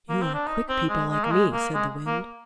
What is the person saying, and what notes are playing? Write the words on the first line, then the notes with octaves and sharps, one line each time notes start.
"You are quick people like me," said the Wind.
A#3
C4
D4
D#4
C4
G#3
G#3
A#3
G#3
A#3
G#3
A#3